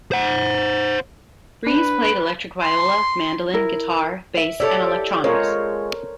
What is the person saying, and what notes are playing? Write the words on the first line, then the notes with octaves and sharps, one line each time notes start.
Breeze played electric viola, mandolin, guitar, bass and electronics.
C5 F#5
D4 B4
C6
E4 A#4
E5
E4 G4 A4 C#5 D5
G#3 F4 A#4 C5 C#5